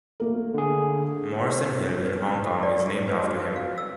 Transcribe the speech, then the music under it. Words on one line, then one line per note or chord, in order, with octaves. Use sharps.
Morrison Hill in Hong Kong is named after him.
A3 A#3 A#4
D3 G#4
B4
A4
A4
D5
C#6
B4
F#4
B4
F5
E6